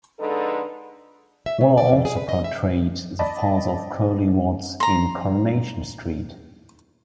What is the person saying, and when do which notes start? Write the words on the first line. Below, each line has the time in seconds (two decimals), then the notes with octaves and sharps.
Waller also portrayed the father of Curly Watts in "Coronation Street".
0.19 F2 D3 G#3 D#4 A4 B4
1.46 E5
1.61 C#3
1.78 D5
1.92 F2
2.05 G#4
2.17 B4
2.29 D#5
2.44 E5
3.19 D5 D#5 A5 B5
4.80 A#5 C6